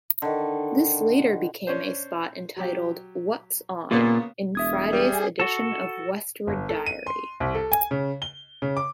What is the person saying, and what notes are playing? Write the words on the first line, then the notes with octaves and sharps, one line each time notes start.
This later became a spot entitled "What's On", in Friday's edition of "Westward Diary".
D3 D#3
C#4 D4 C5
F#3 G4
A#2 C#3 A#3 B3
E1 E5 D#6 G#6
G3 G#4
F#4 A4
G1
A4
D#7
C6
C2
A4
G#5
C#3
G7
C#3
D6